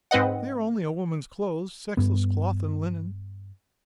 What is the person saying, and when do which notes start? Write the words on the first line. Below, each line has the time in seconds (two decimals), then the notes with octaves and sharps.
They are only a woman's clothes--sexless cloth and linen...
0.11 G#2 C4 B4 D#5 F#5
1.97 G2 B3